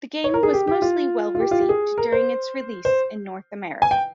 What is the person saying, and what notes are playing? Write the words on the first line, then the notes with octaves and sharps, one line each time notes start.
The game was mostly well-received during its release in North America.
C#5
A#4
G#4
G4
G4
F4
F4
G4
F4
G4
G#4
A#4
C5
C5
G#5
G5